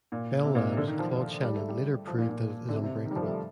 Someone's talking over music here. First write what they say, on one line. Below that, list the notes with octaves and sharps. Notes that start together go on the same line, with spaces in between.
Bell Labs' Claude Shannon later proved that it is unbreakable.
A#2
C3
A#2
C3
D3
D#3
F3
G3
A3
G3
F3
A#2
A#2
D3
C3
C3
D#3
G3
F3
A3
G3